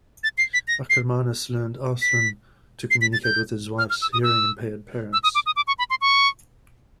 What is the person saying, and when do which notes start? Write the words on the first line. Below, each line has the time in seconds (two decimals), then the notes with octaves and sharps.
Akermanis learned Auslan to communicate with his wife's hearing-impaired parents.
0.24 A6
0.38 C7
0.54 B6
0.68 A#6
0.90 C7
2.02 B6
2.91 C7
3.01 B6
3.13 A6
3.24 G6
3.78 F6
3.90 F6
4.02 E6
4.13 D#6
4.23 E6
5.13 E6
5.23 D#6
5.35 D6
5.46 D#6
5.56 D6
5.67 C#6
5.78 B5
5.90 C6
6.01 C#6